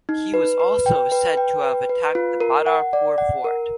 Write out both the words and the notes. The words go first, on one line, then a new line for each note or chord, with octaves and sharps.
He was also said to have attacked the Badarpur Fort.
D#4
B4
B4
G5
B4
G5
B4
B4
F4
A#4
F#5
D5
F#5
A#4